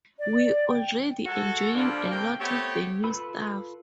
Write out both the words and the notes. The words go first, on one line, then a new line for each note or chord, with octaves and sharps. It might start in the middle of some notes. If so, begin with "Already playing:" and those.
We're already enjoying a lot of the new stuff.
D5
G5
G#3 F#4 A4
F3 G3 A#3 D4 A4 A#4
G2 A3 A#3 C4 A#4 G5
A3 B3 C4 G4 C#5
F4 A4 B4 B5 E6